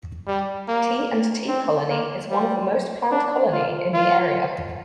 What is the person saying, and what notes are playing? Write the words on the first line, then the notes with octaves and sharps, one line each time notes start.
T and T colony is one of the most planned colony in the area.
G3
A#3
C4
A#3
G3
D4
F4
F4